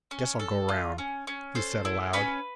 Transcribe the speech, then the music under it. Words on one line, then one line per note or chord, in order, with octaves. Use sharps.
Guess I'll go round,' he said aloud.
C#4
A4
F4
C#4
C#4
A4 C5
E4
C#4 B4